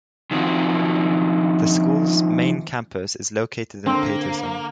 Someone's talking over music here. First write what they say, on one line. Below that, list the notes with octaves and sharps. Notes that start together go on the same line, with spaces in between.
The school's main campus is located in Paterson.
D#3 F3 C4 F#4
D3 A#3 C4